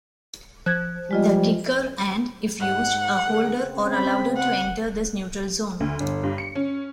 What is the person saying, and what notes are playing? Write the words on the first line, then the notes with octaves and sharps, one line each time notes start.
The kicker and, if used, a holder are allowed to enter this neutral zone.
F3 F#6 G#6
G3 G#3 F4 D#5
G#2 F#5
D3 G#4 A#4
C#3 C4
B5
F#5
D2
G1
G2
C#7
C#4